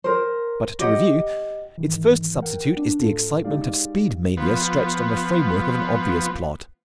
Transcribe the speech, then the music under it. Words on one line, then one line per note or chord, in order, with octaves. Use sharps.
But to review: its first substitute is the excitement of speed-mania stretched on the framework of an obvious plot.
A#4 C5
G4 D#5 F#5
G#2 D#3 E3
A#4 F#5 G5
D4
A2 F4 A4
G#3 D#4 G4 D5 F5
F3 B3